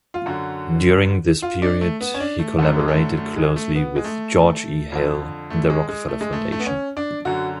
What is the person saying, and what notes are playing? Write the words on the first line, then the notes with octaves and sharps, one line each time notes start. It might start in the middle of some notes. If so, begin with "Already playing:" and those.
During this period he collaborated closely with George E. Hale and the Rockefeller Foundation.
F4
F#2 D3 F#4
F4
D4
A3
B3
C#4
D4
A3
F#2 D3 A3
G#3
A3
A3
G#3
A3
B3
G#3
A3
F2 D3
A3
G#3
G#3
A3
G#3
A3
A3
B3
C#4
D4
F#2 D3 F#4